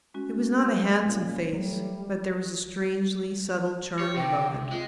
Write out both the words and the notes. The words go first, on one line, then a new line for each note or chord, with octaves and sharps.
It was not a handsome face, but there was a strangely subtle charm about it.
G#3 C#4 F#4
A#2 C#4
F#3 G3 A3
G4 C#5
C3 G5
G#3 F4